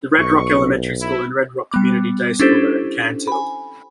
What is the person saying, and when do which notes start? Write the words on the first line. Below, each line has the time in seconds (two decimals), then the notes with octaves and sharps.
The Red Rock Elementary School and Red Rock Community Day School are in Cantil.
0.18 B1 C#6
1.01 E4
1.71 G3 B3 D6
2.40 C#4 D4 E4 G4 A4 C5
3.27 G#5 B5